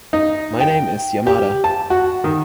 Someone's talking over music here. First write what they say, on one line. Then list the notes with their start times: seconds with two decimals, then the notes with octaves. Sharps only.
My name is Yamada.
0.13 D#4
0.61 G5
1.27 G4
1.64 A5
1.90 F#4
2.24 D#3